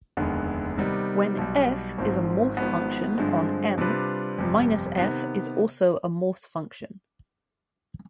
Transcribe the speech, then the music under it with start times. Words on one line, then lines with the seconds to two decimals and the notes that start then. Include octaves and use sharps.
When "f" is a Morse function on "M", "-f" is also a Morse function.
0.17 F1 D#2 D3 G#3 B3
0.77 C3 D#3 G3 B3 D#4
1.37 B1 B2 G3
1.98 G#1 G#2 F3 C4
2.57 G#1 G#2 F3 B3
3.18 G2 D3 F3 G#3 C4
3.78 C3 G3 D4 F4 B4
4.38 G1 F2 C3 G3
4.98 C3 D#3 B3